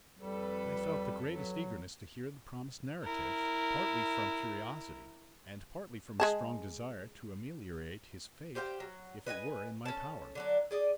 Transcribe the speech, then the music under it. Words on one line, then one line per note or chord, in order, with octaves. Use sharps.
I felt the greatest eagerness to hear the promised narrative, partly from curiosity and partly from a strong desire to ameliorate his fate if it were in my power.
F2 G3 A4 B4
F#3
E4 A#4
G#3 G#4 A5
G4 C5 F5 G5
F#3
B4 D#5 F#5 G#5
C#4 A4 A5
D3 F#3 D4
G#4 D5 D#5